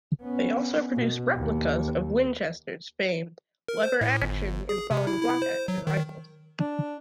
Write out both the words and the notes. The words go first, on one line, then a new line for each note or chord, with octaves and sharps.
They also reproduce replicas of Winchester's famed lever-action and falling-block action rifles.
B3 C#4
B2
D#2
A#4
C5
A2
G1
G#4
C3
E4
E4
C5
F#3
D#3
D4